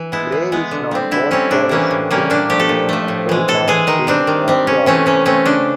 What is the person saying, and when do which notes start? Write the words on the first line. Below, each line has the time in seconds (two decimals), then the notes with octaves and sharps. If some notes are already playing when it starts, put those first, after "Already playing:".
Gray is known both for his clean singing and trademark screams and growls.
Already playing: E3
0.12 G#3 B3 E4
0.32 E3
0.52 G#3 B3
0.71 D3
0.91 G3 C4
1.11 D3 E4
1.31 G3 C4 C#4
1.50 A2 D4
1.69 E3 G3 A#3 C#4
1.91 A2
2.11 E3 G3 A#3 C#4
2.30 A#2 D4
2.50 F3 A3 G4
2.60 A4
2.69 A#2
2.89 F3 A3
3.08 A2
3.29 E3 G#3
3.48 A2 A4
3.68 E3 G#3 G#4
3.87 D#3 D#4
4.07 G3 C4 D4
4.27 D#3
4.48 G3 C4
4.67 C3 C#4
4.86 E3 A3 C4 C#4
5.06 C3 C#4
5.25 E3 A3 C4 C#4
5.46 C#3 D4